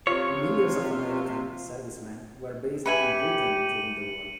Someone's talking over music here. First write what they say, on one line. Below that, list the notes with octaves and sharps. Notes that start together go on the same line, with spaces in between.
Millions of American servicemen were based in Britain during the war.
C3 F3 F4 C#5
G4 B4 E5 G#5 C#7 D#7 F#7